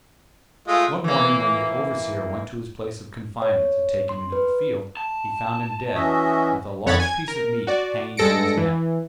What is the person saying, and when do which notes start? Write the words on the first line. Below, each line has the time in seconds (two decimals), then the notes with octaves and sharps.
One morning when the overseer went to his place of confinement to take him into the field, he found him dead, with a large piece of meat hanging to his neck.
0.68 G#3 A3 F4 D#5
1.04 E3 A#3
3.42 C#5
4.09 C6
4.32 B4
4.97 A5
5.94 E3 C#4 F#4 D#5 E5
6.86 F2 C#5 F#5 B5 A6
7.00 G#5 G#6
7.28 A#4
7.67 F#4 D5
8.17 G2 G#3 A4 A#6 C#7 D7
8.57 E3